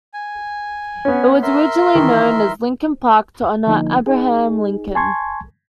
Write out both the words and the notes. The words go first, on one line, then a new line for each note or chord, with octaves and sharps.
It was originally known as Lincoln Park to honor Abraham Lincoln.
G#5
B3 C#4
A#4 E5 C6
D#3 E3
D3 F3 A#3 D#4
D#4 G#4
G#5 A5 C6 C#6 G#6